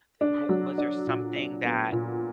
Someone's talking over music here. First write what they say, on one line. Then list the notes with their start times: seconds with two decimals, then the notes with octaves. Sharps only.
th wa was there something that
0.21 D4
0.49 F#3
0.78 D4
1.07 A#2
1.36 D4
1.65 B3
1.92 A#2